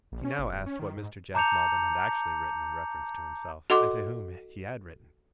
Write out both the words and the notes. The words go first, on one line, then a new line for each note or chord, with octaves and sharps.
He now asked what Mr. Jack Maldon had actually written in reference to himself, and to whom he had written?
A#1
C#4
G1
D1
C#4
D#3
G#2
A5 A#5 D6 G6 C#7 F7
F#4 A4 D#5 F#5 C6 D6